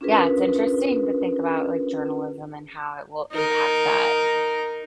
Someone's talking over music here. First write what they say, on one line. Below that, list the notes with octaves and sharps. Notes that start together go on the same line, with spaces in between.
yeah, it's interesting to think about, like, journalism and how it will impact that
C#4 D4 F4 G#4 A#4 B4
D#4 A#4